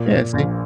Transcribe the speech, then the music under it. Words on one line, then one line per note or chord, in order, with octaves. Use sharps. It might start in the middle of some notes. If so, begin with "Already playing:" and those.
yeah, see
Already playing: A#2
A#2
A#1